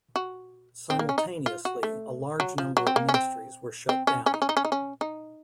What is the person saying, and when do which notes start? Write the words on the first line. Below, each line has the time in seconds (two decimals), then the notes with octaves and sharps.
Simultaneously, a large number of ministries were shut down.
0.16 F#4
0.90 C4
0.99 A#3
1.09 C#4
1.18 D#4
1.46 F4
1.65 F#4
1.83 A3
2.40 F#3
2.58 F3
2.77 F#3
2.87 C4
2.96 A#3
3.09 C#4
3.14 C4
3.89 C4
4.07 C#4
4.26 C#4
4.34 D#4
4.42 C#4
4.49 D#4
4.57 C#4
4.65 D#4
4.72 C#4
5.01 D#4